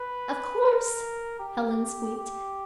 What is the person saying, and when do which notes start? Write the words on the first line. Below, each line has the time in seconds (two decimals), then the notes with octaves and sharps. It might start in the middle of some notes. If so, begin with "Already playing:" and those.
"Of course," Helen squeaked.
Already playing: B4
0.61 A#4
1.40 G4
2.18 G4